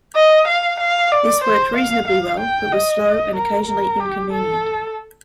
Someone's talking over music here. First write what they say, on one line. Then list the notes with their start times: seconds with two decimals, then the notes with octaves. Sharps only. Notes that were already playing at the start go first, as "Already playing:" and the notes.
This worked reasonably well but was slow and occasionally inconvenient.
0.15 D#5
0.48 F5
0.80 F5
1.12 D5
1.44 C5
1.77 F5
2.08 F5
2.40 G5
2.72 D#5
3.36 A#4
3.68 A#4
4.00 G4
4.33 A4